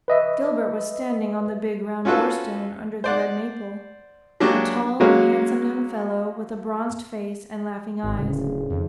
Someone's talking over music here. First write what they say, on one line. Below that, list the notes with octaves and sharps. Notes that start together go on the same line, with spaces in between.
Gilbert was standing on the big round door-stone under the red maple--a tall, handsome young fellow with a bronzed face and laughing eyes.
B4 D#5 E5
C#4 F4 F#4 A4 B4
C5 D5 F#5
F#3 G#3 A#3 D4 F#4 G4
F#3 G#3 A#3 C#4 F#4
G#1
D1 C#3
F2 D#3 F3